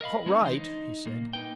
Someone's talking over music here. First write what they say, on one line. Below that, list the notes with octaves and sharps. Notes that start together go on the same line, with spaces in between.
"All right," he said.
A#4 D#5 F5 B5
G#3 C4 C#4 D#4 B4
D3 E3 D#4 C5
D#4
A#2 A#3
A#3 D#4 B4 G5